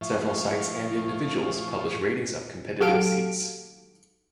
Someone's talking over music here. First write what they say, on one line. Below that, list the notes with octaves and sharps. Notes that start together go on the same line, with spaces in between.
Several sites and individuals publish ratings of competitive seats.
A2 F3 E5 C#6
F#3 F#4 G4 A4 F5 D7